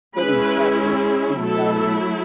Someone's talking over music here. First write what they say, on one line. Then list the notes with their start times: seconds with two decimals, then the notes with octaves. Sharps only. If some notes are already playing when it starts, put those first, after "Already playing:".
but in practice, in reality,
0.18 G#3 C#4 E4 B4
1.43 F#3 A3 E4 A4